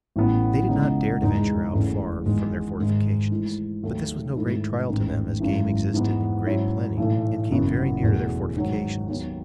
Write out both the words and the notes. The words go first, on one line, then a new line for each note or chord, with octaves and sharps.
They did not dare to venture out far from their fortifications; but, this was no great trial to them, as game existed in great plenty and came very near their fortifications.
A1 A2 E3 B3
C#2 C#3 E3 B3 D#4
E1 E2 D#3 G#3 D#4
F#1 E2 C#3 E3 A3
E2 D#3 G#3 B3
G#1 G#2 D#3 G#3 D#4
G#2 E3 A3 E4
D#2 D#3 F#3 A3
G#2 D#3 A3 E4
A1 G#2 D#3
G#1 F#2 E3
G#2 E3 G#3 B3
G#2 F#3 C#4 E4
B1 A2 E3 A3
F#1 F#2 E3 B3 F#4
E2 B2 A3
G#2 D#3 F#3
D#2 D#3 F#3 B3